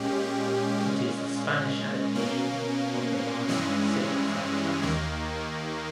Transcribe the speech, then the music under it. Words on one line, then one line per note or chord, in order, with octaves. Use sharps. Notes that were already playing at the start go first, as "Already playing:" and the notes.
It is the Spanish adaptation of the "Masked Singer" franchise.
Already playing: A#2 G#3 C#4 G4
A#2 G#3 C#4
B2 A#3 C#4
G2 E3 G#3 C#4
D#2 D#3 A#3